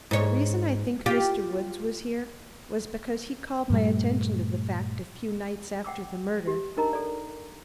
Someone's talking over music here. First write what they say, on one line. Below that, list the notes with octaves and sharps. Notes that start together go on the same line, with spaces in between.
The reason I think Mr. Woods was here was because he called my attention to the fact a few nights after the murder.
G#2 C#5
F4 G4
G2 A#2 G3 A3
F#5 G5 D6 E6
G4
D4 D#4 A#4 D#5 A#5
A4 D5